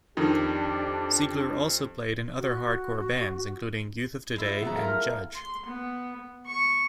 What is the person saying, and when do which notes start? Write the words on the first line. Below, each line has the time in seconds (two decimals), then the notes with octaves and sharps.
Siegler also played in other hardcore bands, including Youth of Today and Judge.
0.17 F2 D#3 D4 G4
2.38 F#4
4.36 G#3 E4 F4
4.62 F#3 A3 B3 A#5
4.76 F4 A#4 A#5
4.88 F6
5.35 C6
5.66 B3
6.46 C#6